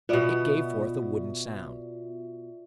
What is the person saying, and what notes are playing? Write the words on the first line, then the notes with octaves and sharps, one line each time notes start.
It gave forth a wooden sound.
B2 B3 F4 D5 E5